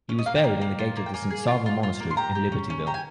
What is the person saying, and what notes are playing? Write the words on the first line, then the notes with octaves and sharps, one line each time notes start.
He was buried in the gate of the Saint Sava Monastery in Libertyville.
C#4
D#5
A#3 F5
G5
A#3
A#3
F4
A#3
G5
A#3 G#5
G#4
F4
F4
F4
A#3
C6
G4 A#5
G4
C#4
C#4
G4 A#5
G#5